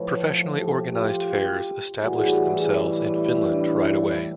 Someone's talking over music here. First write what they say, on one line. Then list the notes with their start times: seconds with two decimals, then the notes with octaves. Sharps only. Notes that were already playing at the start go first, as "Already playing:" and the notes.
Professionally organised fairs established themselves in Finland right away.
Already playing: A2 F3 B4 C#5
0.55 G4 A4
0.92 F4 G4
2.02 A2 E3 G3 F#4 G#4
3.49 D4 E4